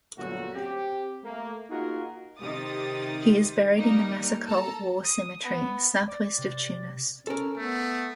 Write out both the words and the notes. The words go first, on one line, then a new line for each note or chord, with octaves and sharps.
He is buried in the Massicault War Cemetery, southwest of Tunis.
G1 A#2 F#3 A3 F#4
C4 G4
A3 A#3
A#3 D#4 F4 F#4 G#4 A#4
C3 D#3 G4 D#6 A6
G3 A#3 D#4 A#4
A4 A5 A#5
D#6
B3
D5 D6 A6
C3
C#4 A4 A#4
A3 B3